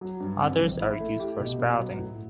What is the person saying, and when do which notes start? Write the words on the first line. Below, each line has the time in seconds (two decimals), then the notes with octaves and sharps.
Others are used for sprouting.
0.01 F#3
0.20 G2
0.40 C4
0.60 A1
0.80 E4
1.00 A3
1.20 G4
1.40 B2
1.59 B3
1.78 F#3
1.99 A2